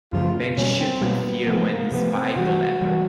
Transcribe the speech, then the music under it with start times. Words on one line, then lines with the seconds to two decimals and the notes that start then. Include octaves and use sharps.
Ben shook with fear when he spied the leopard.
0.13 F#2 C#3 F3 A3 F4
0.57 B2 G3 A#3 C#4
0.79 C4
1.01 B2 G3 A#3 B3
1.47 C3 F3 A3 B3
1.70 A#3
1.92 C3 F3 A3 B3
2.15 C4
2.36 C3 E3 G3 F#4
2.81 C3 E3 G3